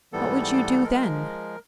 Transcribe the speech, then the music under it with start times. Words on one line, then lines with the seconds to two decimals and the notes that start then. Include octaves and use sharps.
"What would you do then?"
0.13 G#2 E3 G3 B3 A4
0.84 F3 G#3 A#4